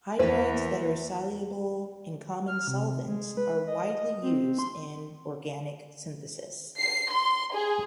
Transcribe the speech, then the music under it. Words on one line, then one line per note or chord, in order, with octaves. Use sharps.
Hydrides that are soluble in common solvents are widely used in organic synthesis.
E2 E3 A#3 E4 B4 C5
F6
C3
G#3
B4
D#5
C4
C6
C7
C6
G#4